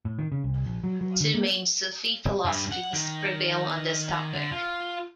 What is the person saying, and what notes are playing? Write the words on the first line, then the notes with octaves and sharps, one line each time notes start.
Two main Sufi philosophies prevail on this topic.
A2
D#3
C#3
C2
A#1
F#3
F#3
D3
A#3
G2
F#5
D#3
D3
F4